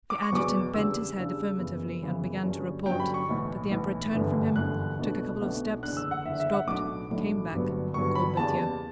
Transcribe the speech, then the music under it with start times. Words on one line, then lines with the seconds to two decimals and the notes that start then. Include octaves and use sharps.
The adjutant bent his head affirmatively and began to report, but the Emperor turned from him, took a couple of steps, stopped, came back, and called Berthier.
0.10 D6
0.22 C#6
0.32 F#1 E2 B2 F#3 B3 D6
0.74 E2 C#3 G3 D4 E6
1.17 E2 C#3 G3 D4
1.58 F#1 F#2 C#3 E3 B3
2.01 F#1 F#2 C#3 E3 B3
2.43 G2 D3 F#3 C#4
2.86 G2 D3 F#3 C#4 G5
3.00 B5
3.14 C#6
3.29 B1 A2 E3
3.71 B1 A2 E3
4.13 G1 F#2 E3 A3 D4
4.56 G1 F#2 E3 A3 D4 F#6
4.98 B1 B2 A3 D4
5.41 B1 B2 A3 D4
5.83 F#1 E2 D3 F#6
5.97 E6
6.11 F#5
6.26 F#1 E2 D3 E5
6.40 E5
6.53 F#5
6.67 B1 A2 F#3 A3 D4 D6
7.10 B1 A2 F#3 A3 D4
7.53 G1 G2 F#3 B3
7.94 G1 G2 F#3 B3 C#6
8.15 B5
8.37 F#1 E2 C#3 G3 B3 A5